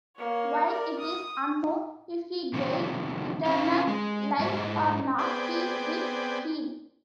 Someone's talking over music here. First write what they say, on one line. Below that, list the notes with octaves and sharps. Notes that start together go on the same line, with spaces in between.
While it is unknown if he gained eternal life or not, he did heal.
A#3 C#5
A#4 D5
D#6
C3 D#3 F3
C4 C#4 F4
G#3
G#2 G#3 E4 C5 D#5
B3 C4 G#4 D5 G5